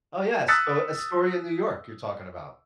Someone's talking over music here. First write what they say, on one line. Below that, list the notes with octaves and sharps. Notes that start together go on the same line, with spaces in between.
Oh, yes. So, Astoria in New York, you're talking about.
D#6 E6 F#6 A6 B6 C#7